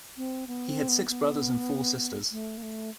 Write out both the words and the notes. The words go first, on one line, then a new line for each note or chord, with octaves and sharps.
He had six brothers and four sisters.
C4
B3
C4
B3
B3
A3
A#3
A3